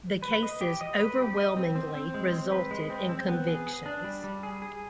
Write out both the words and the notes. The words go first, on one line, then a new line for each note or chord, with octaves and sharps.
The cases overwhelmingly resulted in convictions.
B4
D#5
G4
D#5
B4
G4
D#5
C4
C4
C4
G#3
C4
B4
G#3
C4
C4
B3
G#4
G#4
D4
G3
G3
G#4
G#4